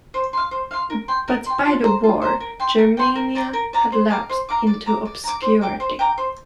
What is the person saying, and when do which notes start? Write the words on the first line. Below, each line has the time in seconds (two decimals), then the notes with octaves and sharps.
But by the war, "Germania" had lapsed into obscurity.
0.14 C5
0.33 F5 C6
0.51 C5
0.71 F5 C6
0.90 A#4
1.08 G5 C6
1.28 A#4
1.46 G5 C6
1.65 F4
1.84 C5 A#5
2.03 F4
2.22 C5 A#5
2.40 A#4
2.60 G5 C6
2.78 A#4
2.97 G5 C6
3.15 A#4
3.35 D5 A#5
3.53 A#4
3.73 D5 A#5
3.92 C5
4.10 F5 A#5 D6
4.29 C5
4.49 F5 A#5 D6
4.67 D5
4.86 A#5 D6
5.05 D5
5.24 A#5 D6
5.42 C5
5.61 G5 A#5 D6
5.80 C5
5.99 G5 A#5 D6
6.18 C5